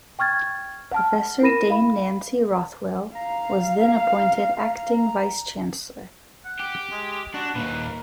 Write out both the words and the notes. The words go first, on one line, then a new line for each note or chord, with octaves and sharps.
Professor Dame Nancy Rothwell was then appointed acting Vice Chancellor.
G5 C#6 F6 G#6 A6
F#5 A5 F6
E4 A#4 B5 A#6 D#7 E7
F5 B5
F5 A#5
F#5
G4
G#3
D4 F#4
D#2 A#2 B4
A#4